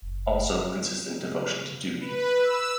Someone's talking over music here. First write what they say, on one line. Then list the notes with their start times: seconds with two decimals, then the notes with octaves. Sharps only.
Also consistent devotion to duty"".
0.02 F#1
2.01 B4
2.36 E6